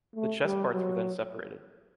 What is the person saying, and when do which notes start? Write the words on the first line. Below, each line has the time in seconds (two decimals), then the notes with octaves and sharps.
The chess parts were then separated.
0.15 A3
0.44 G3
0.72 F#3